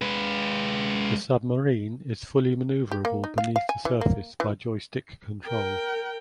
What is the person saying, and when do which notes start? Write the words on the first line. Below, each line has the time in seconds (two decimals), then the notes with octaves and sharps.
The submarine is fully maneuverable beneath the surface by joystick control.
0.02 G#3 B4
2.91 G4
3.05 A#3
3.24 D#4
3.38 F5
3.56 F5
3.69 G#5
3.85 E3
4.01 A#3
4.40 E3
5.46 A#4 G5